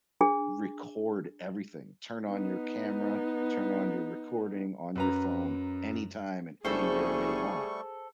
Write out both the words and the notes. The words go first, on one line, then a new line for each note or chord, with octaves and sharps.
record everything, turn on your camera, turn on your recording on your phone anytime, and anywhere they want.
D4 G#4
B3 D#4
F#2 B4 A#5
F#1 G3 A3 G#4 A4 C5 C#6